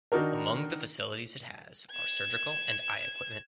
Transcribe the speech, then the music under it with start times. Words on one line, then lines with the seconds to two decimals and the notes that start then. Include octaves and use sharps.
Among the facilities it has are surgical and eye equipment.
0.12 D#3 D4 D#4 F#4 A#4
1.91 G#6 E7